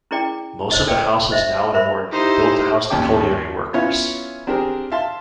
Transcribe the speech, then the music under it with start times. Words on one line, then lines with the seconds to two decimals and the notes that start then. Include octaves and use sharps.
Most of the houses now in Morton were built to house the colliery workers.
0.11 C#4 E4 G#4 D5 G5
0.71 C5 C#5 D#5
0.87 A4 C#5 D5 G5
1.31 C5 D#5 E5
1.74 A#4 C5 E5 B5
2.11 D#4 E4 G4 C5
2.90 G#1 D#2 C#4 G5 D6
3.74 B3 C#4 E4 F4 C#5 F5
4.47 C4 D4 G4 G#4 A#4
4.92 E5 F5 A5 C6